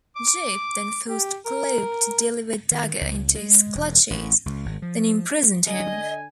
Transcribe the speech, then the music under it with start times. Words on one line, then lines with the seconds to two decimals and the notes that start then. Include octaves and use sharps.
Jip then forced Cloak to deliver Dagger into his clutches, then imprisoned him.
0.16 D6
1.09 G4
1.46 A#4
2.71 D#3
3.01 C#2
3.35 G#3
3.75 E1
4.10 A1
4.46 C#2
4.66 G#1
4.82 F3
5.68 D3 D#5 G#5